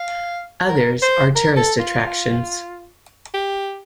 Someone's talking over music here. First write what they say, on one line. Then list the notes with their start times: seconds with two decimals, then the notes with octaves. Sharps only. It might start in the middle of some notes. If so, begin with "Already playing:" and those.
Others are tourist attractions.
Already playing: F5
0.69 A#4
1.02 C5
1.35 A#4
1.57 A4
1.79 F4
3.34 G4